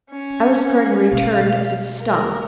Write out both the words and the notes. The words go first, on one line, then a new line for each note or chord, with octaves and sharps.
Alice Greggory turned as if stung.
C#4
B2 G#3 F5
A#4